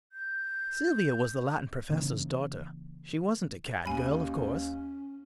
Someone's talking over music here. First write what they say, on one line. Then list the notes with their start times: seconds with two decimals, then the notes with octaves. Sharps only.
Sylvia was the Latin professor's daughter; she wasn't a Cad girl, of course.
0.12 G6
1.90 C#3 E3 A#3
3.86 D#2 C#4 G#5 B5